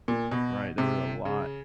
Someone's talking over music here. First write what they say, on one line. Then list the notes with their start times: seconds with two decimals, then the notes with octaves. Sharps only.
right? There were a lot
0.08 A#2
0.31 B2
0.78 C3
1.25 C#3